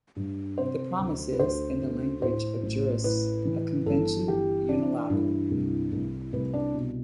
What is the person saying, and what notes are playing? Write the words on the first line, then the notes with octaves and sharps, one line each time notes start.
The promise is, in the language of jurists, a convention unilateral.
G2
C3 C5
D2
B4
D2 C5
D2
A2 C5
A1
A2 B4
E3
G1 A4
E3 G4
E3 D4
G2 E4
C2
C2
C2 B4
D4
B2